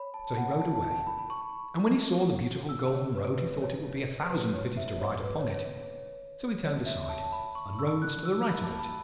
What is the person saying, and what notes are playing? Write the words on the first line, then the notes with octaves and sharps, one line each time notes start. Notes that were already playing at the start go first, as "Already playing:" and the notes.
So he rode away, and when he saw the beautiful golden road he thought it would be a thousand pities to ride upon it; so he turned aside, and rode to the right of it.
Already playing: C#5 B5
A5
F#5
A5
A5
A5
B5
B5
C#6
E6
C#5
B4
B4
C#5
B4
C#5
E5
C#5
B4
C#5
C#5
C#5
E5
A5
B5
C#6
C#6
E6
F#6
E6
B5
A5
B5